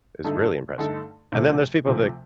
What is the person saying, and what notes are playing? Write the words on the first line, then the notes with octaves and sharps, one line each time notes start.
is really impressive. And then there's people that,
G2 D3 A3 D#4 A4
G2 D3 A3 D#4 A4
D2 C3 F3 A3
D2 C3 F3 A3